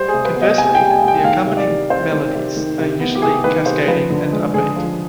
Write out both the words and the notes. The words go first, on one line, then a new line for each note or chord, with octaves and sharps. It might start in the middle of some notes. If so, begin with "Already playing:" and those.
Conversely, the accompanying melodies are usually cascading and upbeat.
Already playing: G3 C5
G#4
C3
B4
B3
D#5
C3 G#5
G5
G3
G#5
C3
G5
D#3 F5
C3
D5
G3
C4 C5
D#3
C3
D#3
C3
B3
G4
C3 G#4
D#3 B4
C3 C5
F3 B4
D3
G#3
D3 G#4
F3